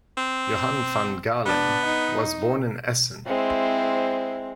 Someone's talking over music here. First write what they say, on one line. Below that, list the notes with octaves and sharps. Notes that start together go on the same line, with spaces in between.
Johan van Galen was born in Essen.
C4
B3 D4
D#4
G#3 C4 E4 C5